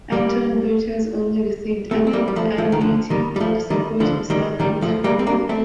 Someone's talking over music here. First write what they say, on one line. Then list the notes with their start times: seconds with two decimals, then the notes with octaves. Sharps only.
Anton Beatus only received an annuity to support himself and his family.
0.12 G3 A#3
1.91 A3 C4
2.07 C4
2.13 G3 A#3
2.28 G3
2.36 F3 A3
2.58 F3 A3
2.72 D#3
2.81 D3 F3
3.10 D#3 G3
3.36 G3
3.40 F3 A3
3.70 D#3 G3
4.00 D3 F3
4.30 D#3 G3
4.60 D#3 G3
4.82 F3 A3
5.04 G3 A#3
5.19 C4
5.27 A#3 D4
5.49 A3 C4